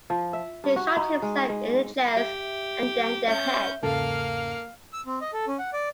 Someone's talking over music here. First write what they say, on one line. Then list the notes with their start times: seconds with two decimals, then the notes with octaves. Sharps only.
He shot himself in the chest and then the head.
0.10 F3
0.33 E5
0.64 G2
0.76 F#4
0.96 D#4
1.22 G#3
1.49 G#3
2.17 G4 E5
3.28 C#4 E5 G6
3.83 E2 G#2 C#3 A#3 A4 F5
4.93 E6
5.06 C4
5.21 D#5
5.33 A4
5.47 C#4
5.59 F#5
5.73 D5